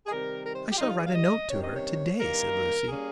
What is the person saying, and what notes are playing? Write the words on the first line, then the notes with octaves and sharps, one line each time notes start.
"I shall write a note to her to-day," said Lucy.
G#4
C3 D#3 G3 A#4
A#4
C5
G4
F4
G2 D#3 G3 D#4
F4
G#4
F5
D#5
C3 D#3 G3 C#4 C#5
D#5
C#5
G2 D#3 A#3 A#4
G3 A#3 C#4 G#4